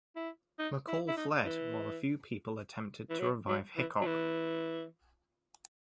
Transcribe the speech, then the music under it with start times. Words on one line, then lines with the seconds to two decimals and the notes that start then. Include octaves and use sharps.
McCall fled, while a few people attempted to revive Hickok.
0.16 E4
0.59 D#4
0.88 E4
1.08 E4
1.17 D#4
1.45 E3
3.10 E3
3.19 F#3
3.48 F#3
3.77 E3
4.01 F#3
4.06 E3